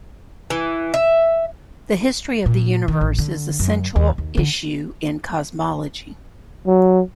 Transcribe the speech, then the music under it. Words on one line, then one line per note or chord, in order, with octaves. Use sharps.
The history of the universe is a central issue in cosmology.
E3
E5
A#2
D#3
A1
D3
F#2
D#2
D#2
D3
F#3